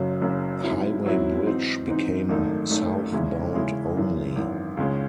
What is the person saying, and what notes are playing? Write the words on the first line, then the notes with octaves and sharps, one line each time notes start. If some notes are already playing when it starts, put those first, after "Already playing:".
Highway Bridge became southbound-only.
Already playing: F#1 F#2 C#3 F#3
F#1 F#2 C#3 F#3
G#2 F#3 C4 E4
G#2 F#3 C4 E4
G#2 E3 C4 D#4
G#2 E3 C4 D#4
G#1 F#2 D#3 A3 D#4
G#1 F#2 D#3 A3 D#4
E2 C#3 G#3 C#4 E4
E2 C#3 G#3 C#4 E4
G#1 F#2 E3
G#1 F#2 E3
C#2 C#3 G#3 C#4